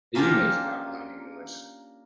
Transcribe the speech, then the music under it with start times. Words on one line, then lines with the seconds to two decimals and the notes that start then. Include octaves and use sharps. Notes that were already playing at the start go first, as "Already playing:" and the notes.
Are you making that whining noise?
0.15 A#3 C#4 D4 F4 G4 A#4